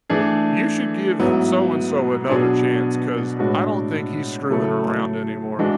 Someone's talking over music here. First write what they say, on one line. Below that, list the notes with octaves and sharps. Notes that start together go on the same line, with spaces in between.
you should give so-and-so another chance, 'cause I don't think he's screwing around anymore.
E3 A3 D4 G#4
G#2 F#3 B3 E4
B2 F#3 B3 D4 G#4
A2 G#3 D4 F#4
C#3 F#3 A3 E4 A4
E3 G#3 D4 F#4